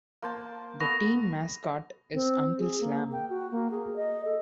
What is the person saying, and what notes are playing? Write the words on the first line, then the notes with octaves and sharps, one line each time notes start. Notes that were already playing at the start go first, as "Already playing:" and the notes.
The team mascot is Uncle Slam.
A#3 C5 A5
B3 A4 C#6 A#6 F7
C4
G#4
A#3
G5
F#4
A#3
G#4
D#5
A4